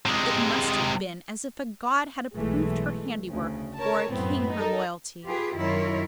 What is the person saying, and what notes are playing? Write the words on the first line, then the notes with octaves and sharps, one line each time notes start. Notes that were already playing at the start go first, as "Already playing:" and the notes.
It must have been as if a god had approved her handiwork or a king her loyalty.
C3 G#3
B1 E3 G#3 A3
D2 C#3
A#4 C#5 A5
F#2 A2 B3 C4
D#4 A4 A#4
F4 G4 G#4 B4
F#2 D#3 E4 F4 A#4 C#5